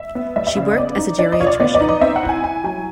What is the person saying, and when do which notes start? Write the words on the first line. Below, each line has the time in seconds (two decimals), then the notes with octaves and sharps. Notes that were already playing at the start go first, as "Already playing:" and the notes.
She worked as a geriatrician.
Already playing: E5
0.15 B3
0.36 G3 E5
0.47 E5
0.56 C#3 F5
0.71 D#5
0.78 B3 D5
0.97 D#4
1.19 D4 D5
1.32 D#5
1.40 F4 C#5
1.47 D5
1.60 B3 D5
1.75 D5
1.81 D#4
1.89 D#5
2.01 C4 E5
2.16 F#5
2.23 E4
2.29 G#5
2.43 E4 G#5
2.64 F#3 G#5